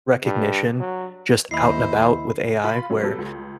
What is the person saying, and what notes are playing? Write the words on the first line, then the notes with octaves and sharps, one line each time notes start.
recognition. Just out and about with AI, where
G2
F#3
D#2 E4 C5 D#5 E5 B5 C7
F4 B5
F#3 C#4
F#3 G3 B3 A4
C#2